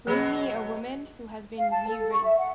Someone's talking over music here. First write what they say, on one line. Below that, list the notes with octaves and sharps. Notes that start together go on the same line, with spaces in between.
Bring me a woman who has been re-written.
B2 F#3 A#3 G#4 B5
F5
A5
A4
C#6
E5
F#5